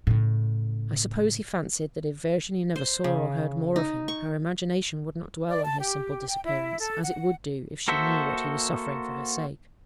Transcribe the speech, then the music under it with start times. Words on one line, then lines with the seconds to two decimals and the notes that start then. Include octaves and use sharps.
I suppose he fancied that, if Virginie never saw or heard more of him, her imagination would not dwell on his simple disappearance, as it would do if she knew what he was suffering for her sake.
0.07 A2 C#3
2.76 C5
3.04 C#3
3.76 D#4
4.08 C#6
5.49 D5
5.64 A5
5.79 G4
6.28 G5
6.44 E4
6.80 A4
7.03 F#5
7.88 A#3 F#4 A4 C5 E5